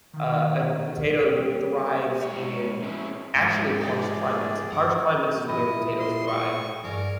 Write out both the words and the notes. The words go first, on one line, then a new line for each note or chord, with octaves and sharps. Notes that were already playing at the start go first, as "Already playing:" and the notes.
Uh, a potato thrives in actually harsh climates Harsh climates is where potatoes thrive,
D#3
G3 A#3 C4 C#4 G4
G#2 C#5
G#3 C4 C#4 E4
G#2 A#4 C6
C#3 F3 D#4 G4 G#4 D5
G2 G3 C5 F#5 D6
A#2 G3 E4 D#5 B5
C6
C#6
G2 G#4 A#4 D5